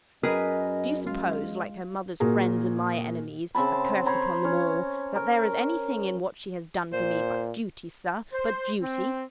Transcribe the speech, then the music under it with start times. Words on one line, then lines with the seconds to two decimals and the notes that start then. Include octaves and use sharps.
Do you suppose, like her mother's friends and my enemies--a curse upon them all!--that there is anything in what she has done for me but duty, sir, but duty?
0.23 F#2 G#4 A#4 B4 D#5
1.07 G#3 F4
2.20 A#2 F#4 G#4 A#4
3.55 C#3 C4 A5 B5
4.06 C5 C#5 A#5 B5
4.44 C#4
5.15 A#4
6.93 A#2 C5
8.33 C5
8.82 C4